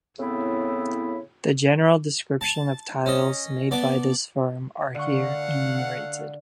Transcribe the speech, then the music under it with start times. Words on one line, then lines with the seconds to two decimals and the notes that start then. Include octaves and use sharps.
The general description of tiles made by this firm are here enumerated.
0.19 A2 C#3 B3 C4 E4
2.41 A5
3.06 C#4 D#5
3.71 B3 D5 A5
4.95 D3 A3 F5 F#5 C#6